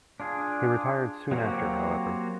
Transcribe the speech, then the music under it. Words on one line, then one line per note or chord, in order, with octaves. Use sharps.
He retired soon after, however.
D4 F4 G#4
F#3 A#3 C4 F#4 G4